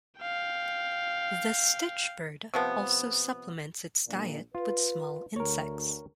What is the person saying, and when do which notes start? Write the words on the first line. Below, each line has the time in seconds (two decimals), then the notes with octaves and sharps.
The stitchbird also supplements its diet with small insects.
0.21 F5 G5
2.54 C3 F3 B3
4.08 A#1 A#2
4.55 F4 B4
5.36 D2 A#4 C#5